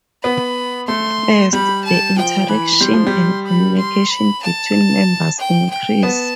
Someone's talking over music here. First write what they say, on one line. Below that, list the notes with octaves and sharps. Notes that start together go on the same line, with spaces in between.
First, the interactions and communication between members increase.
B3 B5
A3 C6
G3 B5
A5
F3 G5
E3 B5
G3 C6
F3
G3
B5
C6
B5
A5
G5
G5
B3 A5